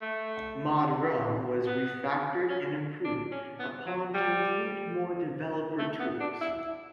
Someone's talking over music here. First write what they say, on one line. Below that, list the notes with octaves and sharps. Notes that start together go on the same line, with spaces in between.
ModRealm was refactored and improved upon to include more developer tools.
A3
B3
C#4
D4
C#4
B3
F#3
G3
A3
B3
D4
E4